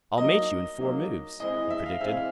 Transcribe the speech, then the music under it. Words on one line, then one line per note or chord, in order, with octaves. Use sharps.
"I'll mate you in four moves," he predicted.
F#3 A#3 D#4 D#5
F#3 A#3 D#4
E3 G#3 C4 E4 G#4 D#5
E5
F5
E3 G#3 C4 E4 G#4 E5
F5